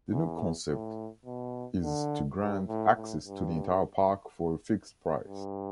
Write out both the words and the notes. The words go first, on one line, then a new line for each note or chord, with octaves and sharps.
The new concept is to grant access to the entire park for a fixed price.
E2
A2
B2
D3
G2
A2
A2
G2
G2